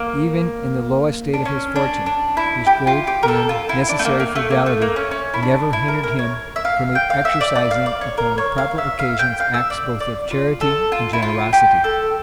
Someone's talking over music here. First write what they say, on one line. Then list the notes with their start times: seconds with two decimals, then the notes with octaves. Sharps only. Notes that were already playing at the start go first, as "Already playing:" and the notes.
Even in the lowest state of his fortune, his great and necessary frugality never hindered him from exercising, upon proper occasions, acts both of charity and generosity.
Already playing: A#3
1.33 D4
1.45 C#4
1.76 D4
2.06 D4
2.37 E4
2.66 G4
2.87 F4
3.07 G4
3.23 A#4
3.28 A4
3.49 F4
3.69 E4
3.89 D4
3.99 A3
4.05 A#3
4.20 A#3
4.35 A3
4.50 A#3
4.66 A3
4.82 A#3
4.96 C#4
5.11 C#4
5.34 E4
5.43 D4
5.73 E4
5.88 A#4
6.03 A#4
6.19 C#5
6.56 E5
6.65 F5
6.95 G5
7.10 F5
7.25 E5
7.41 D5
7.55 D5
7.71 F5
7.86 D5
8.01 C#5
8.17 A#4
8.38 C#5
8.58 F5
8.78 E5
8.99 F5
9.19 G5
9.40 F5
9.54 E5
9.70 D5
10.00 D5
10.31 F4
10.61 A4
10.92 F4
11.13 E4
11.22 F4
11.53 G4
11.84 A4